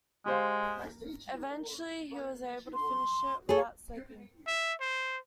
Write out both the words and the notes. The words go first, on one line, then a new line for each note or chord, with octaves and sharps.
Eventually, he was able to finish it without sleeping.
G#3 G4 C5 F5
C6
G#4 A4 C#5
E5
C5